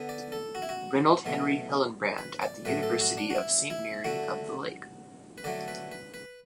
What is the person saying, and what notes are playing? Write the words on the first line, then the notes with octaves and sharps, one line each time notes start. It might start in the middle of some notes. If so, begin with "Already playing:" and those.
Reynold Henry Hillenbrand at the University of Saint Mary of the Lake.
Already playing: D3 B3
D5
A4
F#4
E4
F#4
B2 F#3 A3
B4
D5
A2 F#3 A3 B4
A4
F#4
D4
F#4
E4
E4
D3 A3 F#4
B4
D3 F#3 A3 D5
B4
B4
B4